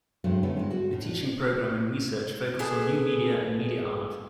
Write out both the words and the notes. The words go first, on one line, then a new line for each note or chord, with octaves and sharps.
The teaching programme and research focus on new media and media art.
G2 C3 F#3 G#3 A3
D3 A3 B3 C#4 E4
G2 G#3
F#4 A4
A2
D4
B3 G#4 A4